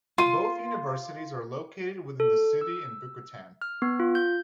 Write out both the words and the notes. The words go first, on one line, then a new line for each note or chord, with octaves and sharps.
Both universities are located within the city in Bicutan.
F4 C6 D#7
A4
E6
F6
B3
F4
G6